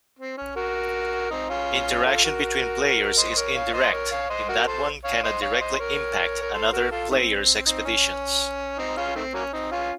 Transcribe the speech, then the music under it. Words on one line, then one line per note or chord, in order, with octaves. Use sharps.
Interaction between players is indirect, in that one cannot directly impact another player's expeditions.
C4
C#4
F#4 A#4
C4 D#4
C#4 F4
F4 A4
F#4 A#4
C5 D#5
C5
A#4 C#5
C#5 F5
C5 D#5
A#4 C#5
C#5 F5
C5 D#5
F#4 A#4
A4 C5
C#5 F5
C5 D#5
C#5 F5
C5 D#5
A#4 C#5
A#4
A4 C5
F#4 A#4
F4 A4
D#3 A3 C4
C4 D#4
C#4
C4 D#4
C#4 F4
D#3 A3 C4
F#3 A#3 C#4
C4 D#4
C#4 F4